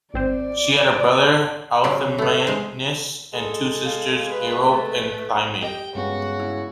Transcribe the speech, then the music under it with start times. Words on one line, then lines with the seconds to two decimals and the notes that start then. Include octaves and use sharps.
She had a brother Althaemenes, and two sisters Aerope and Clymene.
0.14 G#1 C4 C5 D5
1.84 C#3 F#3 C#4 G4 G#4
2.18 A3 B3
2.47 G#3 C5
3.33 G#3 A4
3.85 F5
4.30 B4
4.68 A3 B4
5.62 G4 D#5 G5
5.95 G2 C#3 G#3 B3 F#4
6.39 E4